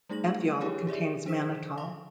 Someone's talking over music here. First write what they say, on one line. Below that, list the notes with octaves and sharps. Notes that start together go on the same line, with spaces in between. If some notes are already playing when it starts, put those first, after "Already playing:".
Ethyol contains mannitol.
G3 A3 D#4 G#4 A#6 F#7
D4 E4 G4 G#4 C#5 G#5
G4 G#4 D5 E5
F3 D4 G#4 C5 B6 E7
F5 C6 C#6